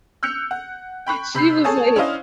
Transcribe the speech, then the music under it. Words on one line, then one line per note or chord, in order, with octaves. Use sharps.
she was like,
E6 F#6 G6 C#7 F7
F#5
G5 B5 C#6 F#6
C3 B5 G6 C7
G#4 A4 C#5 G#5 A5 D#6
C#4 D4 E4 C5 D#5 F5